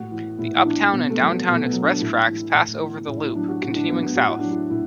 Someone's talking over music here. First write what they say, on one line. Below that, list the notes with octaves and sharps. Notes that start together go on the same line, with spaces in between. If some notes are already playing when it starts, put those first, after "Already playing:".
The uptown and downtown express tracks pass over the loop, continuing south.
Already playing: A2 F#4
E3
A2 E4
E4
E3 D4
B2 B3
A3
F#3
B3
B2 B3
A3
B3
F#3
D4
A2 E4
E3
A2
E3
A2 E4
E4
F#3 D4
F#4
A2 F#4
E4
D4
F#3 B3
B3
A2 F#4
E4
F#3 D4
E4
A2 E4